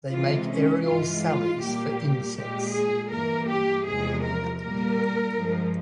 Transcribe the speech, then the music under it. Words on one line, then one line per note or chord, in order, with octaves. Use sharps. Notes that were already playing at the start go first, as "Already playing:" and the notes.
They make aerial sallies for insects.
C3 E3 G#3 F4
C#4
G2 E3 G#3 F4
F4
A#2 G3 A#3 G4
A#2 G#3 G4
G#4
G2 E3 A#3 A#4
G4
E2 C3 F3 G#3 G#4
A#4
A#2 G3 A#3 A#4
G2 F3 G#3